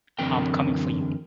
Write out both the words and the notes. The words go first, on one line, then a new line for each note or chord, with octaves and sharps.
I'm coming for you!
F#2 D3 E3 C4 A#4 G5